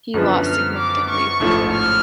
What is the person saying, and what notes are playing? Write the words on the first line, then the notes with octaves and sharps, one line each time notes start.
He lost significantly.
F#2 D3 F3 B3
F6
D6
C#6
A1 G#2 F3 A3
F6